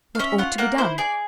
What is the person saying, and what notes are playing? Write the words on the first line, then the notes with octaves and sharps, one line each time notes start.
What ought to be done?
F5
C#4 E5
F4 F#5
A#3 F#5
E4 C5
G#4 D5